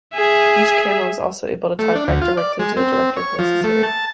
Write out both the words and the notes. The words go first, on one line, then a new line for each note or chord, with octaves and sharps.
Each camera was also able to talkback directly to the director if necessary.
G#4 E5
A3
D4
D2
F4
D5
G#3
C4
C4
C#5
F3
A3
A5